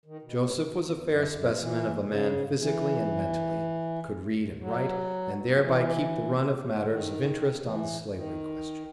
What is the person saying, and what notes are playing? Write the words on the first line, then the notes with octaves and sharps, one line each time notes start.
Joseph was a fair specimen of a man physically and mentally, could read and write, and thereby keep the run of matters of interest on the Slavery question.
D#3
B2
A2
F#2
G#2
G#2
E2
E2
F#2
F#2
E3
C#3
E3
F#3
F#3
E3
G#2
A2
D#3
E3
D#3